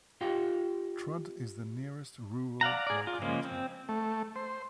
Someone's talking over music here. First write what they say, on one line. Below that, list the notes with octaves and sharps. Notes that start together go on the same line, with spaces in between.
Trud is the nearest rural locality.
F4 G4 D#5 F5 G5
D5 F5 F#5 A#5
G#4 D5
F4
C#3 F3 G#3 A#3
C4
A3
C5